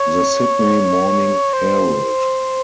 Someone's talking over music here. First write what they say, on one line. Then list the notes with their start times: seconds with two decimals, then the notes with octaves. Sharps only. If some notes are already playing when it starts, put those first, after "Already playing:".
The Sydney Morning Herald.
Already playing: C#5
1.53 C5